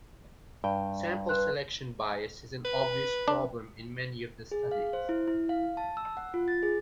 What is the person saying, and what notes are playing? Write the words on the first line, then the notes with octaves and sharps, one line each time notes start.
Sample selection bias is an obvious problem in many of the studies.
G2 G5
B4 C6 F#6
B4
D4
G#4
F5
C5
E4
E4
F5
A5
E6
F#5
F4
A6
G#4